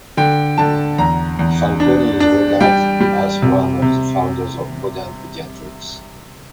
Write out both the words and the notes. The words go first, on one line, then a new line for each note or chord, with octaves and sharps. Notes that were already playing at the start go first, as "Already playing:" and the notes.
Fanconi is regarded as one of the founders of modern pediatrics.
D3 G5
D3 A5
E2 A#5
E2
D4
D4
G3 G5
G3
C3
C3